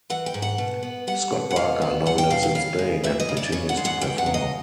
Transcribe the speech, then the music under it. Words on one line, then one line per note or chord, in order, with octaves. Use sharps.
Scott Barker now lives in Spain and continues to perform.
E3 F#5
G5
G#2
F#5
B2
B3
G3 F#5
B2
F#5
B2 F5
B3
G3 F#5
G5
B2 F5
F5
C#3 F5
G#3
E3 E5
D#5
C#3
D5
C#3 C#5
F#5
G#3
F#5
E3 G5
F#5
C#3
D#5